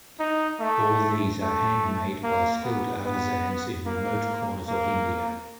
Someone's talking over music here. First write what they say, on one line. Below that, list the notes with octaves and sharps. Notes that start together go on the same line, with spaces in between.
All these are handmade by skilled artisans in remote corners of India.
D#4
A3
A3
A#3
B3
B3
A#3
A#3